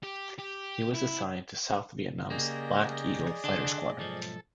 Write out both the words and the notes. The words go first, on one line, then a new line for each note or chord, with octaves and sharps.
He was assigned to South Vietnam's "Black Eagle" Fighter Squadron.
G4
G4
E4
C#3 A#3 G4 G#4 D5 D#5 A#5
D3 D4 A4 F#5 C6
B1 G#2 F3 A4